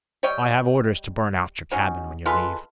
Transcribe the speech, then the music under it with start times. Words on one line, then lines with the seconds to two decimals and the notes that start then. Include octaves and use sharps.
I have orders to burn out your cabin when you leave.
0.23 G3 C#5 D#5 G5
1.72 F#3 C#4 D#4
2.26 G#3 F4 A4 B4